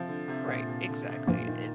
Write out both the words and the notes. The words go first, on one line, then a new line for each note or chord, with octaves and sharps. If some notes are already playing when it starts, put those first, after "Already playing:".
Right. Exactly. It,
Already playing: C3 F3
D3
C3
A#2
C3
D3
C3
G2 A#2 F3 A#3
D#3